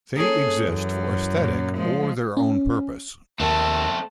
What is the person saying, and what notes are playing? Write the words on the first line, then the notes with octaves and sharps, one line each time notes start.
They exist for aesthetic or their own purpose.
A#3 C#4 G#4 A4 C#5
F#2 E3
A#2 A#3 C#4
F3 G#3
C#4
D#2 A3 C4 A5